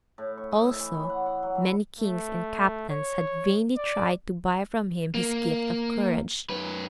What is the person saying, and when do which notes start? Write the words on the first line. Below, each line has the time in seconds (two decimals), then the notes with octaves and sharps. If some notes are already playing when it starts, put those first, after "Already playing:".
Also, many kings and captains had vainly tried to buy from him his gift of courage.
0.18 A2
0.37 C#6
0.52 D#5
0.66 E5
0.80 E3
0.95 C#5
1.09 F#5
1.26 F#5
1.43 F#3
1.55 E3
1.99 A3
2.90 C#5
3.77 D5
5.15 A#3
6.50 F#2 B4